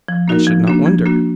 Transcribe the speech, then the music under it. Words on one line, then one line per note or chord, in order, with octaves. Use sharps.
I should not wonder.
F3
A#3 D#4 F#4 A#4
F3
A#3 D4 F#4
F3
A#3 D4 F#4